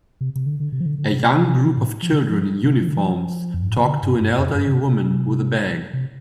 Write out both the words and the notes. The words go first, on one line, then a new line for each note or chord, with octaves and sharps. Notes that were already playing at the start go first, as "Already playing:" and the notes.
A young group of children in uniforms talk to an elderly woman with a bag.
C3
C3
D3
D3
C3
F3
D3
D3
C3
A2
F3
C3
D3
F3
C3
F3
D3
F3
F2
G2
A2
C3
D3
G2
G2
F2
G2
D3
C3
C3